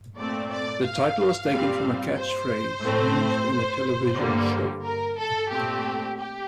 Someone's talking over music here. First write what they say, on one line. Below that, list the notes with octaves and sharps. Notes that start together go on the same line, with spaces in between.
The title was taken from a catchphrase used in the television show.
A#2 A3 C4 D5
D5
F5
A#2 G3 C4
C5
A2 A3 C4
G2 D3 G3 A#3
A#4
A4
A#2 A3 C4 G4
G4